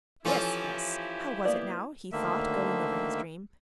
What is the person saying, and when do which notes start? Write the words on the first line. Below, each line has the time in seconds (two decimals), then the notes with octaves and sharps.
"Yes, yes, how was it now?" he thought, going over his dream.
0.25 E3 F3 C#4 E4 F4 G4 A4 D#5
1.45 A#3 B3 D5
2.12 D2 D3 D#3 A#3 E5